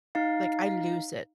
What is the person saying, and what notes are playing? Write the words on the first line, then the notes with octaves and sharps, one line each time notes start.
Like, I lose it.
D#4 F5